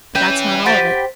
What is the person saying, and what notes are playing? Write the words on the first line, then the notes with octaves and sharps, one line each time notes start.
But that's not all of it.
C#4 B4 E5 G5
G4 C5 F#5 B5 A6 D7